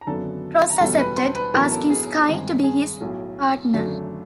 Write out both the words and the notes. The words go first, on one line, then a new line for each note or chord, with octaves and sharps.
Cross accepted, asking Sky to be his partner.
A#5
G#1 F#2 D3 F#3 B3 A4 A5
A#5
F#1 E2 B2 G3 A4 A5
B4 B5
C5 C6
B4 B5
A1 A2 F#3 B3 A#4 A#5
A4 A5
G#4 G#5
G2 D#3 G#3 C4
G#4 G#5
B1 A2 F#3
G#1 F#2 D3 F#3 A3